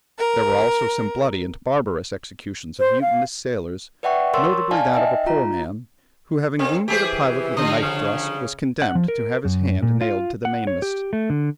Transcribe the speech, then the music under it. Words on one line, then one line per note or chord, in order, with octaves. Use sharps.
There were also some bloody and barbarous executions of mutinous sailors, notably that of a poor man, who having wounded a pilot with a knife thrust, was condemned to have his hand nailed to the mainmast.
A#4
C5
F5
B4 D5 E5 F#5 G5 C#6
A#4 C#5 C6 C#6 E6 A6
D#4 D5 F5 G#5 A5
D#4 D#5 E5 G5
F4 A#5
D3 D#3 C4
E3 G4 G#4 C5
D3 F3 D#5
C#3
F#5
F3
A#4
F#2
A#2
F4
F#5
C#5
G4
A3
D3